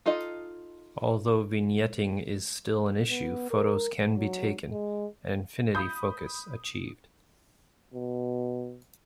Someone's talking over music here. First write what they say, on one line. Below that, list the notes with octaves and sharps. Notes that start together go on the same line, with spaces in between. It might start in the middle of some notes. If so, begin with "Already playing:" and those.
Although vignetting is still an issue, photos can be taken, and infinity focus achieved.
D#4 F4 A4 D#5
B3
A#4
F#3
G#3
B5 D#6 G6
B2